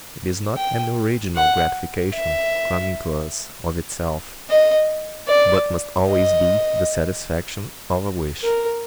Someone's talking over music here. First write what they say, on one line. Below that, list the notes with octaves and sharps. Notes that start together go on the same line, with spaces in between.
It is not an original gratification coming to us of itself, but must always be the satisfaction of a wish.
G5
F#5
E5
D#5
D5
D#5
A#4